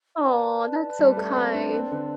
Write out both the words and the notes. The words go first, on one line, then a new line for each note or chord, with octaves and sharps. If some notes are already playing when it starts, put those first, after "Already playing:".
Aw, that's so kind.
B4 D5 A5
G3
A3
C4
D4
C4
D3